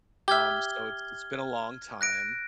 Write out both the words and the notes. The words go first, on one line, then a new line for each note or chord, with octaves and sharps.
um, so, it's it's been a long time,
G4 E5 F6 G#6 G7
F#6 A#6 D7